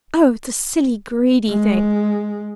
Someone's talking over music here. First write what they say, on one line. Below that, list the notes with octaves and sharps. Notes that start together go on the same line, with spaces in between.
Oh, the silly, greedy thing!
G#3